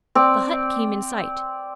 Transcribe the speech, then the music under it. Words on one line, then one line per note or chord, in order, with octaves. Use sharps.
The hut came in sight.
C4 D5